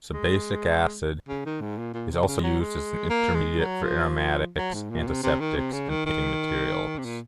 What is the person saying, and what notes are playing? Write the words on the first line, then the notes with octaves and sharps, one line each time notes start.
Sebacic acid is also used as an intermediate for aromatics, antiseptics, and painting materials.
G#3
C#3
D#3
G#2
A#2
A#2
C3
C#3
G#3
F#3
G#3
A#3
G#3
F#3
F3
F#3
G#2
A#2
C3
C3
D#3
C3
C#3
D#3
D#3
C3
A#2